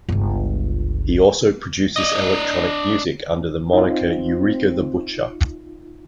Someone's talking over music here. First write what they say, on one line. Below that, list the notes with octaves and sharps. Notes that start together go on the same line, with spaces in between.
He also produces electronic music under the moniker Eureka the Butcher.
G1 C#2
D4 D#5
C4 D#4 F4